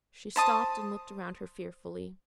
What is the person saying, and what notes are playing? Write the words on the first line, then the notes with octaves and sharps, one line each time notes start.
She stopped and looked around her fearfully.
C5 A5 D#6